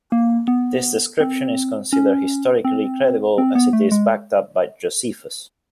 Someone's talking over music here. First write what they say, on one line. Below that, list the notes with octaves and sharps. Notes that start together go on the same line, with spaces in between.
This description is considered historically credible as it is backed up by Josephus.
A#3
B3
C4
C#4
C4
C4
B3
A3
G#3